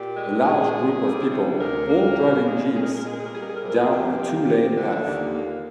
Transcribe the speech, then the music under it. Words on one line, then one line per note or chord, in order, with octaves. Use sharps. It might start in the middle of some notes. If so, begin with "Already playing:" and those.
A large group of people all driving Jeeps down a two lane path.
Already playing: A#2 G4
G#3
A#2 G#4
G#3
G3
C3
D2 A#4
A#3
A#2
G#3
A#2 G#4
A#4
G#4
A#4
G#3 G#4
A#4
G#4
A#4
G3 G#4
A#4
G#4
A#4
C3 G#4
A#4
G#4
F2 G4
A#3
F3
D3
D#2 A#3
A#3